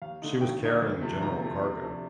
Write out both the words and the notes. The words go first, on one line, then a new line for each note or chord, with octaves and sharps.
She was carrying general cargo.
D#2 F5
D3 A3 D#4
D#2 G5
D3 A3 D#4
D2
C3 F3 A3
D2 A#5
C3 F3 A3
C3
F3 A3 D4